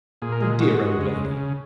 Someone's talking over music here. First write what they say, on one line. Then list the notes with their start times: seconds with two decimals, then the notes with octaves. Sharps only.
The dear old lady!
0.22 A#2 G#4
0.32 A#4
0.41 G#3 G#4
0.60 G#3 F#4
0.79 G#3
0.99 C#3
1.17 C#3
1.37 C#3